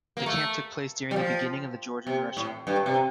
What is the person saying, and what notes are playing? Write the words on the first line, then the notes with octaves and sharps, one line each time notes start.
The camp took place during the beginning of the Georgian-Russian war.
A#3
A3
G3
F3
C3
A2
G2
C3